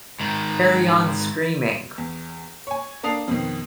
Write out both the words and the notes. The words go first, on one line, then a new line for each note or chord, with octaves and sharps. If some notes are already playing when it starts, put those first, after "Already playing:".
Carry On Screaming!
G#2 D#3
E2
C#5 G#5
A#3 D4 A4 D#6 C7 F7
F2 B2 D#3